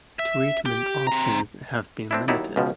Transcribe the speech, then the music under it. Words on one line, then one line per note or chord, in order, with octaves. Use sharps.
Treatment options have been limited.
E5
G4
C4 A#5
C4 D4 E4
D#2 F#3 D#4 E4 D5
C#2 B2 F3